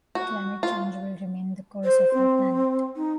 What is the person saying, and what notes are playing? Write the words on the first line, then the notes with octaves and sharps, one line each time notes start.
Climate change will remain the curse of our planet.
F#4
F4
C5
C4
D#4